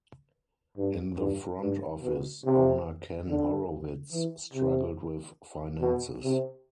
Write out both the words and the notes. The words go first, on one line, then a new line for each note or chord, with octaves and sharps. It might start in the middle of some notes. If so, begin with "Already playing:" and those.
In the front office, owner Ken Horowitz struggled with finances.
G2
G2
G2
B2
C3
D3
E3
C3
B2
C3